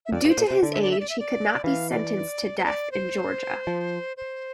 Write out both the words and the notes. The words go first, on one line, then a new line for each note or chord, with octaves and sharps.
Due to his age, he could not be sentenced to death in Georgia.
E5
F2 D5
G2
C5
A#2
C3 C5
D3 D5
E5
D5
E5
D5
E5
D5
E3 F5
D5
C5
D5
C5
F3
C5